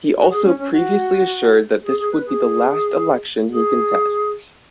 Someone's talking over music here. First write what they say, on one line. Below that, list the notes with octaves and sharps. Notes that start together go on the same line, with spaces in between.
He also previously assured that this would be the last election he contests.
F#4
G#4
C#4
C#4
F#4
G#4
G#4
B4
G#4
G#4